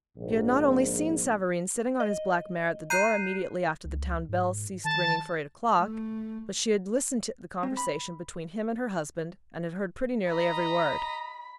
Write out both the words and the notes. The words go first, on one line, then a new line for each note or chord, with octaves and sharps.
She had not only seen Savareen sitting on his black mare at the door, immediately after the town bell ceased ringing for eight o'clock; but she had listened to the conversation between him and her husband, and had heard pretty nearly every word.
A#1 G#2
D#5
A#5 F#6 G6 C7 D#7
C#2
G#2
D#3 A5
A3
C4
B5
D#5 A#5 B5